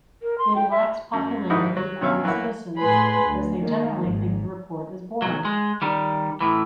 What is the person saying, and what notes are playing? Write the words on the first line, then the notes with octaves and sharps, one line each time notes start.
It lacks popularity among citizens, as they generally think the report is boring.
A#4
C6
G5
E5
F#2
G#2 D#3 G3 D#4 E4 F#4
F#3
G2 B2 C#4 C#5 E5 F5
E3 F#3 A#3 E4 F#4
A2 G#4 B4 B5 C6
D2
D#3 A#3
G#1 G#2
B1 F#3
G#3
D#3 G3
A2 E3